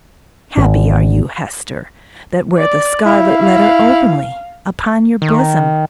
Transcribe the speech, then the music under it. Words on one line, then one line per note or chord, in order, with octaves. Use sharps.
Happy are you, Hester, that wear the scarlet letter openly upon your bosom!
G#1
D5
E4 F5
D#3